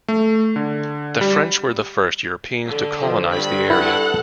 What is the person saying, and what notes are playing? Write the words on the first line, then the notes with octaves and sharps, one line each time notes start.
The French were the first Europeans to colonize the area.
A3
D3
G3
D3
F3
G2 D3 B5
E4 A4 B4 F#5